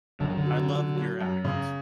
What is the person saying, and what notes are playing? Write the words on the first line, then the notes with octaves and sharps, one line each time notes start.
I loved your act.
F#2 D3
D#3
D3
F#3
F#3
F#3
F#2
C#3